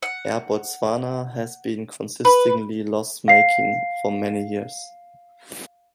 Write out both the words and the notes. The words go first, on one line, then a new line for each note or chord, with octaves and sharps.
Air Botswana has been consistently loss-making for many years.
F#5
B4
F5 C7